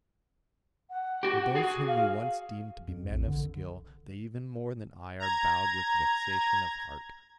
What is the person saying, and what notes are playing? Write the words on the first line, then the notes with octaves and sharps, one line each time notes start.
For those whom we once deemed to be men of skill, they even more than I are bowed with vexation of heart.
F#5
F#4 G4
F#4 G#4
F5
F2
A#1
D3
A#5 G#6